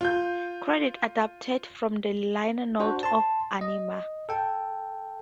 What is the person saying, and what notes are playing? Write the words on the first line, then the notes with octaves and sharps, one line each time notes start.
Credits adapted from the liner notes of "Anima".
F4 G6
D4 F#4 C5
A5 C6
D#5
A4 G5